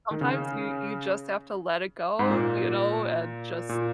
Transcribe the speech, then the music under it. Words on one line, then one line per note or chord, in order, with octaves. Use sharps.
sometimes you you just have to let it go, you know, and just
D#3
C#3
G#2
A#2
A#2